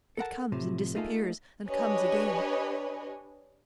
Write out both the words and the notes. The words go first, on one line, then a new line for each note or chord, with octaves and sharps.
It comes and disappears, and comes again.
A4 A#4 F#5 A5
A2 C3 F3
A3 A#3 D#4 F4 G#4 A4
D4 G4 B4 C#5 D#5 G#5